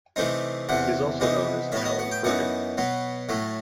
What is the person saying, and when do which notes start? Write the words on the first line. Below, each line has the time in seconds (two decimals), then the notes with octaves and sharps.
He is also known as Alan Fergant.
0.16 C3 E3 A3 C4 D#4
0.69 E2 C3 E3 F#5
1.20 C3 E3 B3 D#4
1.72 A2 F#3 B3 E5
1.85 D#5
1.99 F#5
2.11 G5
2.24 F#2 E3 B3 D#4 F#5
2.77 B2 F#3 B3
3.29 A2 F#3 A3